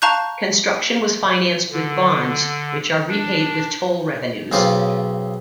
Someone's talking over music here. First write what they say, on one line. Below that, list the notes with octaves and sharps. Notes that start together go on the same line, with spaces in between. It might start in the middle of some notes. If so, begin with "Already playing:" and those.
Construction was financed with bonds, which are repaid with toll revenues.
F5 A5 A#5 C#6 F#6 G6
D3
D4
B1 C#3 C4 F4 D6